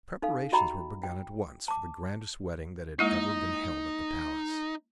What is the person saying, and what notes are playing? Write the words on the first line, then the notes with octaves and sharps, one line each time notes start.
Preparations were begun at once for the grandest wedding that had ever been held at the palace.
D#4 A4 F5
F#4 G4 D#5 G5 A#5 B5
G5
A5 D6
G#3 A#3 D#4 E4